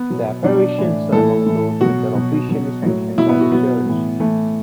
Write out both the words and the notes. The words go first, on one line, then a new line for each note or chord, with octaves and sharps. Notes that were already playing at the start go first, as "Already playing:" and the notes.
The apparitions are among those which are officially sanctioned by the Church.
Already playing: B3
B2 F#3
B2 F#3 D4
A2 E3
A2 E3 A4
A2 E3
B2 F#3 F#4
B2 F#3
B2 F#3
A2 F#3
B2 F#3 E4
B3
F#4
B2 F#3 B3
A2 E3
A2 E3 A3